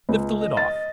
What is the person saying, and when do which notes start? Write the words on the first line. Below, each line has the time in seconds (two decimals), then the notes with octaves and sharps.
"Lift the lid off!"
0.09 C#2
0.27 A3
0.39 D#5
0.57 A6